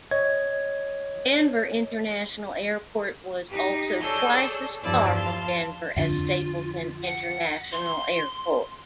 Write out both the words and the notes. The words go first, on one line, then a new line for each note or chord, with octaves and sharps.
Denver International Airport was also twice as far from Denver as Stapleton International Airport.
C#5 D#5 G#6
D#4 G4
G#4 A4 C#5 D5 E6 G6
E2 G2 F3 E4 D5 A5
F5 A5 C6
F2 D3 D4 F4
F#5
C6